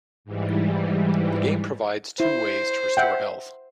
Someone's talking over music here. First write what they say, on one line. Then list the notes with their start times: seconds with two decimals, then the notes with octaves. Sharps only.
The game provides two ways to restore health.
0.25 G#2 E3 G3
2.20 E4 C5
2.97 E5 F#5 G5